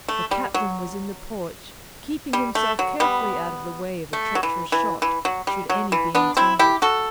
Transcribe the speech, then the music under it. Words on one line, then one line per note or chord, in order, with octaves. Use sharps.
The captain was in the porch, keeping himself carefully out of the way of a treacherous shot, should any be intended.
A3
G3
F#3
G3
A3
F#3
G3 B3
A3
F#3
E3
E3
E3
F#3
G3
F#3
E3
B3 D4
C4 E4
E4 G4
F#4 A4